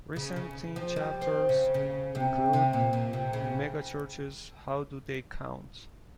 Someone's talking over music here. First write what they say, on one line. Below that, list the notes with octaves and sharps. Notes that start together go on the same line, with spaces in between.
Recent theme chapters include, Megachurches: How do they Count?
C#3
C#3
F3
G3
C4
C#3
C#3
C3
C3
A#2
A#2
C3
C#3